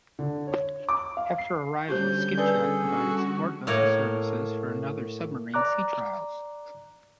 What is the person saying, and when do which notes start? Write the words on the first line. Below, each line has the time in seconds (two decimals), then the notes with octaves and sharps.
After arrival "Skipjack" provided support vessel services for another submarine's sea trials.
0.19 D3
0.47 C#5
0.89 D6
1.17 F5
1.38 C7
1.89 D3 G3 C#4 F#4 G4 C5 G6
2.38 G#4 A4 B4 D5
2.86 F#4
3.67 A2 A#3 C#5 A#5
5.54 D5 A#5 D6 F#6